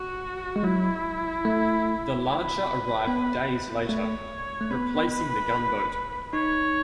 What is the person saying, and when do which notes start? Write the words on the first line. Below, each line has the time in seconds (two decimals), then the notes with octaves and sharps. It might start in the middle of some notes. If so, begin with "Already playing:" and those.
The larger arrived days later, replacing the gunboat.
Already playing: F#4
0.56 G#3
0.63 F#3 E4
1.45 A3
2.26 B4
3.07 B3
3.89 A3 C#5
4.61 A3
4.71 B3 B4
6.33 D#4 C#5